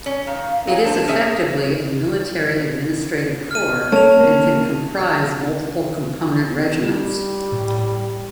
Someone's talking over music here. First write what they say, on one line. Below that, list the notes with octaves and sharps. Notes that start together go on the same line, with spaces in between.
It is effectively a military administrative corps, and can comprise multiple component regiments.
C#4
D#3 F5
F#3 D#4 G#4 F5
D4 C5 A5
C#4 G#4 E5
F6 D#7
A3 A#3 C#4 C#5 A5 F7
A#3 C#4
G3
A2